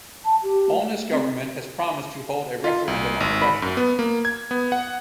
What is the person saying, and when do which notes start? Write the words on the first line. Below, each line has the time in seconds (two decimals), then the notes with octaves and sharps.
Holness's government has promised to hold a referendum on the question.
0.25 A5
0.43 G4
0.71 A3
1.11 C4
2.64 F4
2.88 C2
3.20 G#1
3.42 B5
3.62 F#2
3.77 B3
3.99 A#3
4.25 G#6
4.51 B3
4.72 F#5